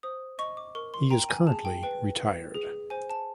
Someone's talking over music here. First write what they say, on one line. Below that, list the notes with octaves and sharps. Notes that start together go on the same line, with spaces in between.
He is currently retired.
C5 D#6
D#5 C#6
D6
A#4 C#6
C6
G5 A#5
G#5
G#4 A5
G5
B4 G5
B4
G#4
C5 G#5
A5